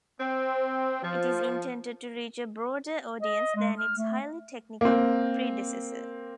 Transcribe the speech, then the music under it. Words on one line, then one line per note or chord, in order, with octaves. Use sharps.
It is intended to reach a broader audience than its highly technical predecessor.
C4
F3
D#5
G#3
F6
A3
A#3 C4